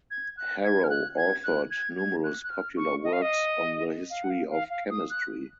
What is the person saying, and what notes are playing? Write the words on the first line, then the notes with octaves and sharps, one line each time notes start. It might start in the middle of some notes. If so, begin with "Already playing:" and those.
Harrow authored numerous popular works on the history of chemistry.
G#6
F#6
G#6
F6
F#6
G#6
F#6
G#6
G#6
F#6
F#6
F6
C#6
D#5
F5
D#5
F5
F#5
F5
F5
F5
D#6
F#6